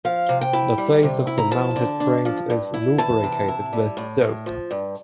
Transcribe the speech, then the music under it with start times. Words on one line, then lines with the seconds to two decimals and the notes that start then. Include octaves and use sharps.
The face of the mounted print is lubricated with soap.
0.05 F3 F5
0.29 C3
0.41 G5
0.53 E4
0.78 G3
1.03 C3
1.27 E4
1.38 A#5
1.51 F3 A5
1.76 D3
2.00 D4
2.25 F3
2.50 G2
2.74 E4
2.98 E3 A5
3.24 C3
3.48 E4
3.73 G3
3.97 A2
4.21 A2
4.46 F3
4.71 G2